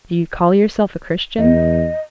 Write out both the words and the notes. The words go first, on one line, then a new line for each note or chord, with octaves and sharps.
"Do you call yourself a Christian?"
E2 D#5